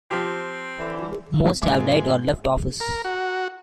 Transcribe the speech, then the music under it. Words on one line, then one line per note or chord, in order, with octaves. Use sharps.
Most have died or left office.
F3 C4 G4
D3 E3
F#1 G#2 G#3 E5 D6
A#4
F#4